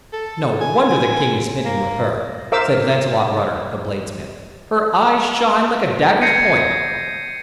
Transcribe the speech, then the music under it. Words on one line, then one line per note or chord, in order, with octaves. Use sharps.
"No wonder the king is smitten with her," said Launcelot Rutter, the bladesmith; "her eyes shine like a dagger's point."
A4
G#5
G#5
A#3
A#4 C5 E5 F5 D6 E6
G6 G#6 A#6 C7 C#7 D#7